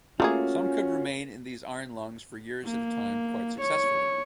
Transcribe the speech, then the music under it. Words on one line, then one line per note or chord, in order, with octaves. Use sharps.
Some could remain in these iron lungs for years at a time quite successfully.
A3 A#3 C#4 F4 F#4 G#4
A#3
C#5